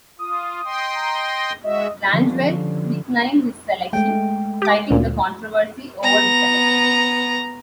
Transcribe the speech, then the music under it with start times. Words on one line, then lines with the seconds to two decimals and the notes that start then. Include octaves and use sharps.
Langeveldt declined his selection, citing the controversy over the selection.
0.19 F4 D#6
0.65 D#5 G5 C6
0.95 A#5
1.29 A#6
1.63 G#3 F#4 D#5 E5
2.12 D3 F3 G3 B3 C#4 D4
3.93 G#3 A3 G5
4.62 G4 D6
4.90 D2 A#2
6.03 B3 A#5